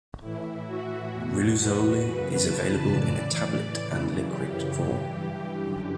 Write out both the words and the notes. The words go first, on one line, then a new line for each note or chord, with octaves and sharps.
Riluzole is available in a tablet and liquid form.
A2 E3 E4
F#4
E2 B2
B4
F#2 C#3 E3 B4
A5
A2 E3 D5
F#2 C#3 E3
G4
G2 E3
F#2 D3